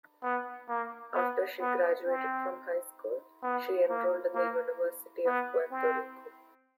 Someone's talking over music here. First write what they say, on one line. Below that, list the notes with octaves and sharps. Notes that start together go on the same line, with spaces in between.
After she graduated from high school, she enrolled in the University of Puerto Rico.
B3
A#3
B3
B3
C4
B3
A#3
A#3
B3
C4